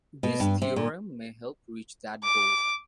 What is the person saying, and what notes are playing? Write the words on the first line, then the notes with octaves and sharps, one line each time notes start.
This theorem may help reach that goal.
B2
G2
C3
A#2
D6